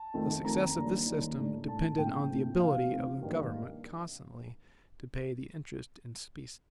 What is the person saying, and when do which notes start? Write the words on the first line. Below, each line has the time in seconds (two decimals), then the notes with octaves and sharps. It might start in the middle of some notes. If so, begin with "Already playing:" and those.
The success of this system depended on the ability of the Government constantly to pay the interest in specie.
Already playing: A5
0.14 F2 D#3 A3 C4 D#4
0.44 F2 D#3 A3 C4 D#4 A#5
0.75 D#2 D#3 G3 D4
1.05 D#2 D#3 G3 D4
1.37 A2 A3 D4
1.67 A2 A3 D4 A5
1.98 A#1 A2 F3 A3 C4 G5
2.29 A#1 A2 F3 A3 C4
2.59 D2 C3 F3 F5
2.91 D2 C3 F3
3.22 G2 D#3 G3 A#3